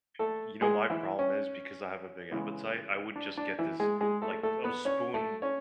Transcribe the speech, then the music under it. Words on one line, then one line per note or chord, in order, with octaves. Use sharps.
Y you know, my problem is because I have a big appetite, I would just get this, like I would spoon
A3 A4
G#3 G#4
E3 E4
C#4
C#3 E3 G#3 B3
D4
D4
E3 E4
G#3 G#4
G#3 G#4
A3 A4
A3 A4
B3 B4
C#4 C#5
A3 A4
C#4 C#5